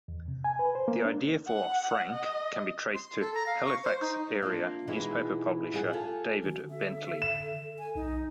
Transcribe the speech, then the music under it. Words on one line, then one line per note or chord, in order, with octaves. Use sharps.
The idea for "Frank" can be traced to Halifax-area newspaper publisher David Bentley.
E2
C3
G#5
B4
C5
A#3
D4
F#5
D#5
C6
A4
A#5
F5
C#6
C5
D#4
A#3 D4 F4
B2 E3 G#3 D#4 F4
A#2 G3 G#4 F#5
F4 G4 A4 G#5
D3 F#4
A4 E5
E7
G#5
B1 D#4